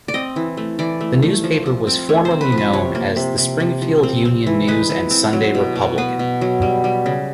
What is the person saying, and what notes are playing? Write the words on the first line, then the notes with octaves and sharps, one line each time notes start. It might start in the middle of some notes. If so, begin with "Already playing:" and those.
The newspaper was formerly known as "The Springfield Union News and Sunday Republican".
D5
C4 D#5
E3
A3
E3 D5
A3
A3
F3
F3
C4
A3 C#5
C5
C4
B4
F3
B4
C3 C#5
A#3
C3
C3
C3
F3
C4
C4
E3
G#3 B4
E3
C4
F#3
B2
B2
B3 B4
B2
F#3
G3
G3
C#3